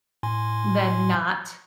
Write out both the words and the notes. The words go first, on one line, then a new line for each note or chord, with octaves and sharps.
than not,
A2 G#5 C6